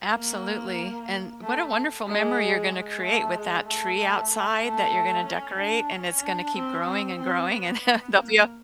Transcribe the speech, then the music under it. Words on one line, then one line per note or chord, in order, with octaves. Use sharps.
Absolutely, and what a wonderful memory you're gonna create with that tree outside that you're gonna decorate and it's gonna keep growing and growing and h they'll be u
A#3
A3
G#3
G#3
A3
G#3
A3
A3
C#4
D4
C#4
D4
C4
C4
C4
B3
A#3